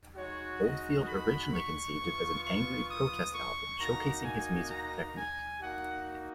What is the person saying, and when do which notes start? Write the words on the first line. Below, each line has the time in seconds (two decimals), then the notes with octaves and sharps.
Oldfield originally conceived it as an "angry, protest album", showcasing his musical technique.
0.16 G#3 D#4 F#4 C#5
0.61 D#5
1.07 B5
1.52 C#6
1.98 B3 F4
2.43 C#6
2.89 D#6
3.33 C#6
3.79 A#3 D#4 F#4 A#5
4.24 G#5
4.69 A#5
5.15 G#5
5.60 A#3 D#4 F#4 F#5